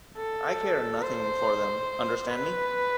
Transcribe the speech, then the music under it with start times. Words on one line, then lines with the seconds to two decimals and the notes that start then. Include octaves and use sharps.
I care nothing for them — understand me?
0.17 A4
1.02 C5
2.28 B4